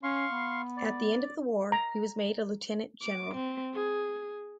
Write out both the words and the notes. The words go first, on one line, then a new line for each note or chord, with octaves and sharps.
At the end of the war he was made a Lieutenant-general.
C#4 F5 C6 C#6
B3
D5
A#5
D6
C4
G#4